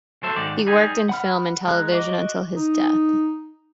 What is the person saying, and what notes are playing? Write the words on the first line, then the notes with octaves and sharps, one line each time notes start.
He worked in film and television until his death.
F#3 A4 C5 E5
G#2 D#3 D5
G3 D#4 G#4
F#5 B5 F6
G#3 A#5 F#6
F#4 D#5 D6
D#4